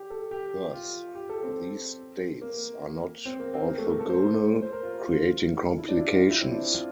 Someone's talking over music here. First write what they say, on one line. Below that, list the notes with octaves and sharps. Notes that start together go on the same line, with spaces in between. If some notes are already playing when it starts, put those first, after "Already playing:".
Thus these states are not orthogonal, creating complications.
Already playing: G4
A4
G4
F4
G4
A4
C4
A#3
C4
A#3
C4
A#3
A3
A#3
A4
C5
C5
A#4
F4
E4
D4
E4
F4
E4
C4
D4
F4